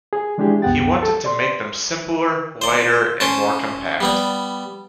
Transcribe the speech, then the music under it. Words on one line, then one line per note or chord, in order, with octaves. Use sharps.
He wanted to make them simpler, lighter, and more compact.
G#4
E3 G#3 D4 E4 G4 G#4
C2 F#2 B3 F#5 G5 A6
A4
D5 C6
C5 D5
C#4 C5 A5
G3 B3 D5